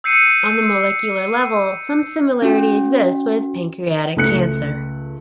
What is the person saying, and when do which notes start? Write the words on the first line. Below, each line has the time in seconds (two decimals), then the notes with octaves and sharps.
On the molecular level some similarity exists with pancreatic cancer.
0.04 E6 G6 C7 C#7 D#7
2.42 C#4 F#4
4.16 C#2 A3 F#6 C#7